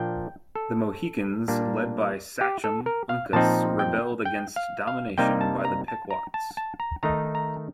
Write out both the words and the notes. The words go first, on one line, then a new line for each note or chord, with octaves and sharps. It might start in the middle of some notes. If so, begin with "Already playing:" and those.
The Mohegans led by "sachem" Uncas rebelled against domination by the Pequots.
Already playing: A#2 F3 A#3 D4 G5
A4
A#2 G3 A#3 D4
G4
A4
A#4
F5
A#2 F3 C4 D#4 A5
G5
G5
F5
F5
C3 G3 A#3 D#4 G5
A5
A#5
A5
A#5
A5
A5
A#5
D#3 A3 D#4 A#5
A#5